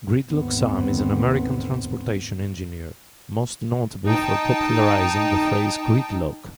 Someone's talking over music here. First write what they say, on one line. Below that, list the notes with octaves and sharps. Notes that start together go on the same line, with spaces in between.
Gridlock Sam, is an American transportation engineer, most notable for popularizing the phrase "gridlock".
G#1 D#2 G#2 D3 B3 C4
D#4 G5 A5